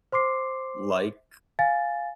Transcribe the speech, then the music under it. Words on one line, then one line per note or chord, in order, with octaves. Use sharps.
like f
C5 C6 D6 C7
F5 G#5 A6